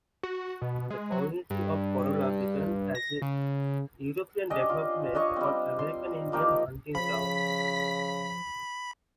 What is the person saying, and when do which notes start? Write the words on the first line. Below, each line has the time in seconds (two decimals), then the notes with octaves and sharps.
The community of Corolla began as a European development on American Indian hunting grounds.
0.23 F#4
0.62 B2
0.90 G#3
1.12 F#3
1.50 G2
2.95 A#6
3.22 C#3
4.50 C#4 D4 G4 D#5
4.70 F4
5.15 D4 C#5 D#5 C#6
5.36 G3 C4
5.79 C6
6.32 F3 A#3 D#4 G4
6.95 C#3 F3 B5 B6